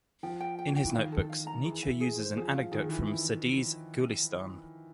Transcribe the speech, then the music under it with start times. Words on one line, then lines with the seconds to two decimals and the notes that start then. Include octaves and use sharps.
In his notebooks, Nietzsche uses an anecdote from Sa'di's "Gulistan".
0.23 F3 G5
0.40 G5
0.59 G5
0.76 G5
0.85 E3
0.94 D#3 F5
1.12 A4
1.30 F5
1.47 A#5
1.65 E3 G#4
1.83 E5
2.00 G#4
2.18 C5
2.36 F3 G#4
2.54 F5
2.72 D#3 G#4
2.89 E3 G#4
3.07 E4